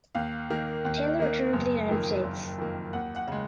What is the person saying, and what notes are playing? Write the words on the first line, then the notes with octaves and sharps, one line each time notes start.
Taylor returned to the United States.
D#2 F5
D#3 A#3
D#2
D#3 A#3
F#1
F2 D#3 A#3
F#1
F2 D#3 A#3
D#2 F#5
F#5
C#3 G#3